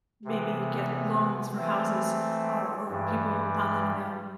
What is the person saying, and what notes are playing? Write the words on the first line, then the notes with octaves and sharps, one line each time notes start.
maybe get loans for houses, or or people not letting them,
C3 E3 B3
E3 A3 C4
G2 E3 G3